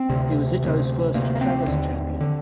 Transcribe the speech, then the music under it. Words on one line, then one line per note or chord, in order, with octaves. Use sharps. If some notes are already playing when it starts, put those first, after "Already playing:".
He was Zito's first Travers champion.
Already playing: C4
D2 C3
D2 C3
D2 C3 A#3
A#3
C4
D#2 D3
D3